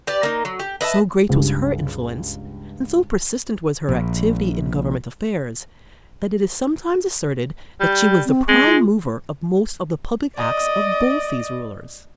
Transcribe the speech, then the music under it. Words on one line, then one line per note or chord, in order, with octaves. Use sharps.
So great was her influence and so persistent was her activity in government affairs, that it is sometimes asserted that she was the prime mover of most of the public acts of both these rulers.
G4 B4 D5
A#3 D#4
F#3
G4
B4 D#5 E5 A5
C#2 G2
A#1
G3
C4
G#3 C4
F4
D5 D#5